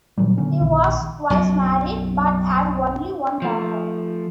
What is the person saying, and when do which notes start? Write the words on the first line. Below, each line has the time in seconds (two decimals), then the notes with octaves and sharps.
He was twice married, but had only one daughter.
0.18 A#2 D#3 F#3 G3
0.38 D3 B3 C#4
0.60 A#1 D#3
1.30 B1 F#2 F#3
3.42 F3 A3